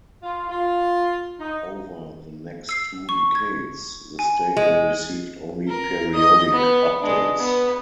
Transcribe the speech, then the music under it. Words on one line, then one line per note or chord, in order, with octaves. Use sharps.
Over the next two decades, the stadium received only periodic updates.
F4
F4
D#4
E6 C7
C#6
G#6
G#5
G#3
A#4
D#5 D#6
B3
G#3 D4
B3